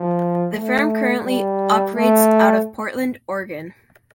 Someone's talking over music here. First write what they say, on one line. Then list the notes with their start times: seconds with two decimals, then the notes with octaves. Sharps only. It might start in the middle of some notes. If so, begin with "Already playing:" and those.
The firm currently operates out of Portland, Oregon.
Already playing: F3
0.53 A3
1.24 G3
1.94 A3